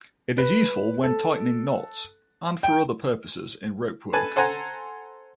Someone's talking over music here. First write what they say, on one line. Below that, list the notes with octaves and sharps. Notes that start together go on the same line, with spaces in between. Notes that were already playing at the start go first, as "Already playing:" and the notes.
It is useful when tightening knots and for other purposes in ropework.
B4
A4
G5
A4 B4 G#5 A5
A4 C5 F#5 G#5 A#5